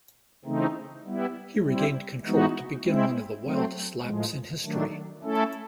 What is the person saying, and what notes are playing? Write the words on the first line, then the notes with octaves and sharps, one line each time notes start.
He regained control to begin one of the wildest laps in history.
C#3 E3 A3 C4 D#4
G3 B3 E4
G3 C4 E4
E3 G#3 B3 D#4 F#4
G#3 C4 E4
F#3 A3 C4
A2 F3 G#3
D#3 F#3 A3 D4
A3 C#4 E4 A4